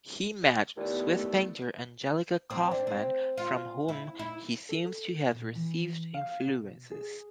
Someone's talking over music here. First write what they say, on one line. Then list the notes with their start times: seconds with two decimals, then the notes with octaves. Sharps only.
He met Swiss painter Angelica Kauffman, from whom he seems to have received influences.
0.77 D#2 A3 B3 E4 D5
2.50 C4
2.71 D4
2.87 C4
3.38 F4
3.88 E4
4.19 E4
4.69 A4
5.33 A#2
5.56 E3
6.14 F5
6.47 B2
6.92 G#4